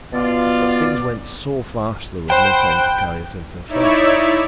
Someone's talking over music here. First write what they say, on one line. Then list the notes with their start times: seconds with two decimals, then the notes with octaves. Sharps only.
But things went so fast there was no time to carry it into effect.
0.13 B2 B3 F4 D5
2.30 C5 F#5 G5 B5
3.68 D#4 E4 C#5 D5 E5